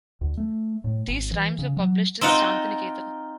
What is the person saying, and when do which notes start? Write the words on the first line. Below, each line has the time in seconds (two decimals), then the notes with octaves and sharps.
These rhymes were published in Santiniketan.
0.21 D2
0.37 A3
0.84 A2
1.08 G#1
1.32 E3
1.59 C#3
1.77 F#3
2.21 C4 D#4 F4 D#5 F#5